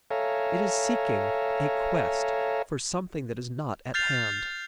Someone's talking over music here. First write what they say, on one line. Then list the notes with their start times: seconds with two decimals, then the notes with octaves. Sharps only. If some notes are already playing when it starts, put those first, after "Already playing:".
It is seeking, a quest, for something that is not at hand.
0.11 A4 C#5 E5 F5 G#5 A#5
3.94 F6 G6 A6 C7 F7